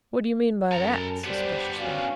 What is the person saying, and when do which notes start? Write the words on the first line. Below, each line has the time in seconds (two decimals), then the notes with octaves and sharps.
"What do you mean by that?" suspiciously.
0.72 F#2 A4 A#5
1.24 G3 B3 D4 G4 C5
1.80 C#4 F#4 F5